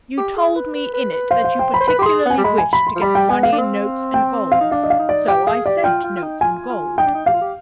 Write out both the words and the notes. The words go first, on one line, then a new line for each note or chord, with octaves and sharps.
You told me in it that you particularly wished to get the money in notes and gold; so I sent notes and gold.
G4
G#4
B4
B4
B4
B4
C5 F5
F5
G5
B5
C5
B4 B5
G4
G#4 C6
B3 G#5
G3
G#3 B5
G#5
B5
C6
F3
G3 B5
G5
B3 G#5
F5
D4
C4
G5
F5
D#4
D4 F5
D#5
F5
D#4
D5
G4 G5
G#4 F5
G4 D5
F4 G5
F4
F4
D#4
F4 G#5
F4
D#4 G5
D4
D#4
G4 F5
F4
G4